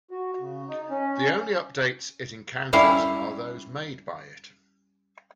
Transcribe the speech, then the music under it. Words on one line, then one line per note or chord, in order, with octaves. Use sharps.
The only updates it encounters are those made by it.
F#4
C#3
D#4
C#4
G3 C#4 E4 F5